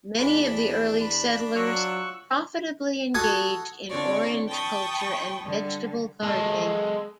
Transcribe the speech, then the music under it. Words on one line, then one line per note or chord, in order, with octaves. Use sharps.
Many of the early settlers profitably engaged in orange culture and vegetable gardening.
E2 D4 B5
B5
F#3 F4 C#6 E6 F#6
F#4 A4 D#6 G#6
D3 C4 D4 F4 C#5 D5
G5 A5 B5 C#6 D#6
D3 G3
G#3 A4